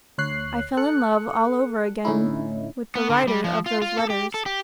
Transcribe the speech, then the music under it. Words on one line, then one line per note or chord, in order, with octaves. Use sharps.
I fell in love all over again--with the writer of those letters.
D2 C#5 F#6 C7
A4 F#6 C#7
A2 D3 C#4 D#4 E4
B3
D3
G3
F3
F4
F4
A4
G4
A4
G4